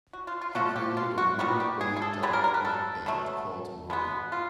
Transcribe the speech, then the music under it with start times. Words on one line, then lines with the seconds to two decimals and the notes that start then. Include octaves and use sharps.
He created a new wave-dark rock band called "Marti".
0.13 F#4
0.27 F4
0.41 F4
0.55 C3 F3 A3 F#4
0.76 G4
0.97 F4
1.18 F#4
1.39 D#3 G3 B3 F#4
1.60 G4
1.81 G#4
1.97 G#4
2.02 A4
2.23 D3 G3 B3 G#4
2.33 A#4
2.44 A#4
2.54 B4
2.65 A4
3.06 B2 F#3 A3
3.90 B2 G#3 B3
4.32 F4